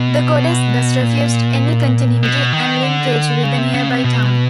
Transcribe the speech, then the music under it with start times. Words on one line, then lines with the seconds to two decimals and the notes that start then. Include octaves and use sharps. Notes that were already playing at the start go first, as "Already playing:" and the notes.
The goddess thus refused any continuity and linkage with the nearby town.
Already playing: B2
1.02 A#2
2.23 B2
2.53 D#3
2.83 D3
3.43 C#3
3.58 C3
3.74 C#3
3.89 C3
4.04 B2